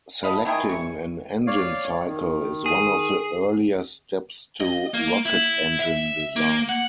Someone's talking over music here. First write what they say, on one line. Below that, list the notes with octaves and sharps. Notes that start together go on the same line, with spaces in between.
Selecting an engine cycle is one of the earlier steps to rocket engine design.
F3 D#5 F5 B5
D#3 E4 G#4 G5
C#6
C#5 D5 F5
D#3
G#4
D#5
A#3
E4
E5
A#3
F#5